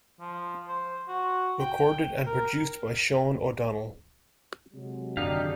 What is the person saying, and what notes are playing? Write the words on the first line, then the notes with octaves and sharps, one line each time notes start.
Recorded and Produced by Sean O'Donnell.
F3
C5
F#4
G5
A#4
C3 F#3 G#3
F#2 D3 D#3 D4 D#4 G4 F5